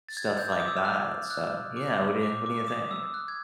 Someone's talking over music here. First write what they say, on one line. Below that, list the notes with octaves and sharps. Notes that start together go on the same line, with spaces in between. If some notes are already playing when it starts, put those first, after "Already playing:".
stuff like that, so Yeah, what do you what do you think?
A6
G#6
A6
G6
D6
D#6
E6
F6
F#6
F#6
D6
D6
D6
D#6
E6
F#6
G#6